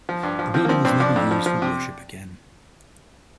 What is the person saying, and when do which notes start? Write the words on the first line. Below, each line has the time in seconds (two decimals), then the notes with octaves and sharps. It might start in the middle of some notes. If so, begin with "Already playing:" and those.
The building was never used for worship again.
0.09 F3
0.23 G2
0.39 F3
0.54 F3 C4
0.65 A#3
0.69 F3 C4
0.85 G2 C4
1.00 F3 D4
1.16 F2
1.31 F3
1.46 F3
1.62 C3